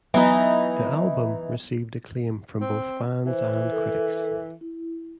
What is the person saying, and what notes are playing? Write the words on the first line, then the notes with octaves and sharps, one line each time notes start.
The album received acclaim from both fans and critics.
E3 F#3 B3 D#4 E4
C4
E3 C5
A4 A#4
E4